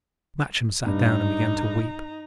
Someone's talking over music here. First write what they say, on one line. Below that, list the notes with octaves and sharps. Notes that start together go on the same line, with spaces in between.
Matcham sat down and began to weep.
G2 D#4 A#5